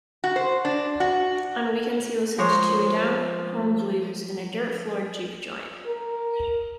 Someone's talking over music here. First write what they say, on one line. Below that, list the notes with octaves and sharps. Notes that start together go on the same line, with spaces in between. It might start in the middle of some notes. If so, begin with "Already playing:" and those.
On weekends he listened to down-home blues in a dirt-floored juke joint.
F#4
C5
D4
F#4
F3 G#3 A#4 C5 C#5
A#4